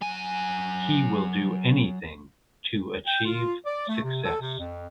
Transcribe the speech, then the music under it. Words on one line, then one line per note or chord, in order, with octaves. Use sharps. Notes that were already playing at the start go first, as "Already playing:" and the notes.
He will do anything to achieve success.
F#3 G#5
G5
F4
D5
A3
C3
A4
C3
F2